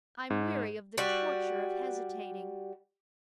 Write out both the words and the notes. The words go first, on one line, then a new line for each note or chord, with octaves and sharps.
I'm weary of the torture of hesitating.
G#2
G3 F#4